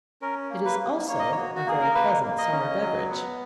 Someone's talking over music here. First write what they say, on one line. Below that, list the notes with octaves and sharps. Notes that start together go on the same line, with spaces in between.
It is also a very pleasant summer beverage.
C#4 A#4
A#3
B4
A#3
A#3 C#5
D#5
C#5
F#4
F#4
A#3 G#4
A#4
A#3 B4
A#3
D#5
C#4
F#3
B3